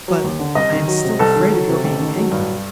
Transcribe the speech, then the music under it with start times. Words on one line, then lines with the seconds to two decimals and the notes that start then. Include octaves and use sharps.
"But I am still afraid of your being angry."
0.08 F#3
0.24 D#2
0.39 D3
0.55 C2 D#5
0.72 D#3
0.88 F#3
1.04 C3
1.19 C2 A4
1.36 D#3
1.52 F#3
1.68 C3
1.84 A1
1.99 D#3
2.16 F#3
2.31 G2